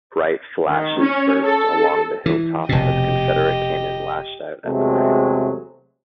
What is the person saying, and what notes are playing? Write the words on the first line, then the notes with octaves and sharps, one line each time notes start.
Bright flashes burst along the hilltops as Confederate cannon lashed out at the rams.
D#3
C#4
A4
E3
F1 B2 G4 D#5
E2 C3 F#3 G#3 A3